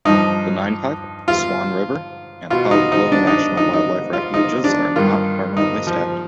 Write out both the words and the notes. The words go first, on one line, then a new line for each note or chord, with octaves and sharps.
The Ninepipe, Swan River, and Pablo National Wildlife Refuges are not permanently staffed.
G2 F3 D#4
F4
B2 F4
D#4
D#4
D4
D#4
D#4
D#4
F4
D#4
D4
G2 D#3 F4
D#4
F3